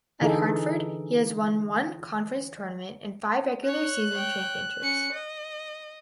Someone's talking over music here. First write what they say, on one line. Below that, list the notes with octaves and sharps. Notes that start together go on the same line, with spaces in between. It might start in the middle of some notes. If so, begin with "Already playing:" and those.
At Hartford he has won one conference tournament and five regular season championships.
D3 E3 D#4 G#4 A4
C#5 F#6
C#5 G5
C#4 C#7
D#5